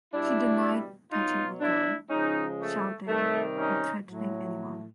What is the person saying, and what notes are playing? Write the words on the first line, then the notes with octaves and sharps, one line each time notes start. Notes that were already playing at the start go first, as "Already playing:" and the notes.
She denied touching a gun, shouting, or threatening anyone.
B2 G3 D4 E4
B2 F#3 D#4 F4
D4 E4
C#3 F3 G#3 C#4 D#4
A3
C3 D#3 G3 A3
C#4 D#4
A2 F#3